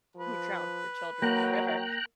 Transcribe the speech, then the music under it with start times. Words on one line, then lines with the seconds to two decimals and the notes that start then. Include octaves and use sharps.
who drowned her children in the river,
0.16 F3 B4
1.22 F#3 A#3 G5 A#5 F#6